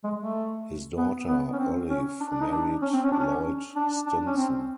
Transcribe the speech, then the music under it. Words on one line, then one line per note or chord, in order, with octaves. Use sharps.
His daughter Olive married Lloyd Stinson.
G#3
A3
B3
B3
C#4
C4
C#4
D4
D4
D#4
D4
C#4
C4
C#4
D4
C#4
D4
D4
C#4
C4